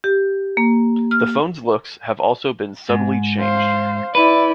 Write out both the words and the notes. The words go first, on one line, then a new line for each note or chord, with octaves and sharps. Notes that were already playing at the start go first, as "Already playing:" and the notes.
The phone's looks have also been subtly changed.
G4
A#3
F6
G#2
C5 F5
E4 B4 D5